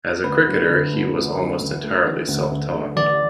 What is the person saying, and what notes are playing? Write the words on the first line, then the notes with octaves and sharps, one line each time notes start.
As a cricketer he was almost entirely self-taught.
D2 B4
F#3
D3
A3
D2
F#3
D2
A3
D3
D2
D2
A3
A1 D5